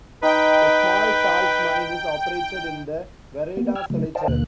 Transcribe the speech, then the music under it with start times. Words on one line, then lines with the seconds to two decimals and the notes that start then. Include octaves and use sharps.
A small salt mine is operated in the "vereda" Salitre.
0.23 D#4 B4 G5
3.57 A#3 B3
3.75 G5 E6 F6 G#6
3.90 C#3 F#3 A3
4.15 C5 D5 D#5 F5 G5 A5
4.28 D#2 B2 D3 A#3 F#6